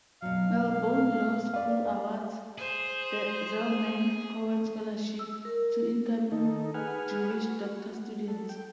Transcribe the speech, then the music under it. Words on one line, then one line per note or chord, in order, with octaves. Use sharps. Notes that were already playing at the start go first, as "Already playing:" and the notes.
Melbourne Law School awards the "Zelman Cowen Scholarship" to incoming Juris Doctor students.
B2 F#3 F5
B4 D5 F5
G#4 C5
E6
A#4
D#3 D#4 A4
G#4 B4 F#5 G#5 F6
F#4
A4
G5